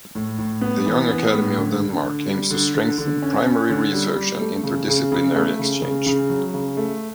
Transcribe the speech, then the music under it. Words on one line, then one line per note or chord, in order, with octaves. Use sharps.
The Young Academy of Denmark aims to strengthen primary research and interdisciplinary exchange.
A2
A2
B3
E3
B3
A2
D3
D3
D3
G3
D3
D3
D3
C#4
C#4
D3
G3
G3
A3
C#3
C#3
C#3
A3
C#3
C#3
C#3
F#3
C#3
A3